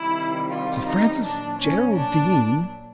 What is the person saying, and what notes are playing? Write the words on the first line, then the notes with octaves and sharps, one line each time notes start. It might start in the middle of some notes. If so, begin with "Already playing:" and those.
"Sir Francis Geraldine!"
Already playing: C3 D#3 G3 E4
F4
D#4
A#2 F#3 D4
C#4
D4